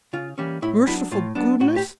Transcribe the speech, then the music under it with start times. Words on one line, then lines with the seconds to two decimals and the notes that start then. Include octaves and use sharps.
"Merciful goodness!"
0.13 C#3 F4
0.38 E3 G3 A#3 C#4
0.62 A2 E4
0.87 F#3 B3 D4 E4
1.11 A2 F4
1.35 F#3 B3 D4
1.60 A2 F#4
1.76 G4